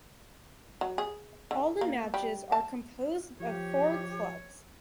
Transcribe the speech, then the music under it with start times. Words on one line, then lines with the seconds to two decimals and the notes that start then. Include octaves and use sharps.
All the matches are composed of four clubs.
0.81 F#3
0.98 G#4
1.51 D3
1.81 A#3
2.14 G3
2.52 A5
3.40 F3 G4 C#5